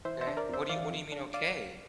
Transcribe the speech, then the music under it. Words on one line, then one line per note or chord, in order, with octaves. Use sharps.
Okay, what do you what do you mean, okay?
E3 C5 E5
C5 E5
D4
A#4 D5
F2 C5 E5
E3 D5 F5
F2
D4
D5 F5